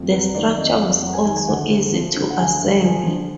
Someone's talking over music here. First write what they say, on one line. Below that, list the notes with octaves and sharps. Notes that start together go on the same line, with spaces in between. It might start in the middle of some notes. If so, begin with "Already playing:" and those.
The structure was also easy to assemble.
Already playing: F2
F#3 B4
D#3 D5
F2 D#5
F5
F2
F#3 F#5
G#5
D#3 G#5
G#5
D2 F#5
D2
F3
D3
F#5
D2 G#5
D2
F3 G#5
D3